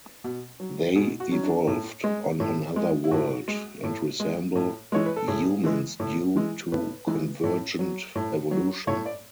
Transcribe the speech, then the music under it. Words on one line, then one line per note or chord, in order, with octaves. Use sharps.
They evolved on another world and resemble humans due to convergent evolution.
B2
F#3
B2 G#4
F#4
F#3 C#4
D4
A2
G#3
A2
G#3
E4
A2 F#4
G#3
A2
G#3
A2
E3 G#3 C#5
B4
A4
A2 G#4
E3 G#3
A2
E3 G#3
A2 B4
E3 G#3
A2
F#3
A2
F#3
A2 C#5
D5